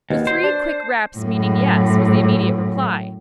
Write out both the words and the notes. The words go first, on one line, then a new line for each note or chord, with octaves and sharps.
The three quick raps meaning "Yes" was the immediate reply.
D#2 B2
C5
D4
F#2 A2